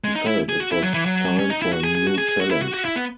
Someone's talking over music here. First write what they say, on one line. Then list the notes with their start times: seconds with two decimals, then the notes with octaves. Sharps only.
He felt it was time for a new challenge.
0.04 G#3
0.15 D#4
0.27 E4
0.49 G#4
0.60 F#4
0.72 E4
0.82 F#3
0.94 E3
1.05 F#3
1.39 C#4
1.50 D#4
1.62 E4
1.73 F#4
1.83 G#4
1.95 G#4
2.07 F#4
2.18 G#4
2.29 G#4
2.40 F#4
2.51 E4
2.62 F#4
2.74 F#4
2.85 E4
2.96 B3